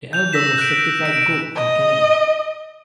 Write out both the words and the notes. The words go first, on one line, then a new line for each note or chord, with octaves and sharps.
The album was certified Gold in Canada.
G6 F7
E6 A#6 B6 E7
F#6 G6 D7
D7
D#5